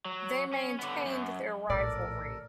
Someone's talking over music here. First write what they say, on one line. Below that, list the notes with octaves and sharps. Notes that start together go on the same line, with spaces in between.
They maintained their rivalry.
F#3
C#4
D3 B3
F#2
A#1 A2 A4 A#4 D5